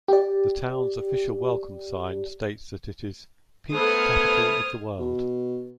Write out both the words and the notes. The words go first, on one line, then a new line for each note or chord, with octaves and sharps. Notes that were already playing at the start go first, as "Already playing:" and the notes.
The town's official welcome sign states that it is "Peach Capital of the World".
G4 D5
A3 B3 A4 C5 D#6 F6 G#6
B2